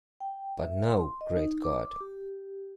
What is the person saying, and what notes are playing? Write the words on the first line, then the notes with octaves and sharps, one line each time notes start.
But now, great God!
G5
E5
C6
D#5
D#4
D6
G4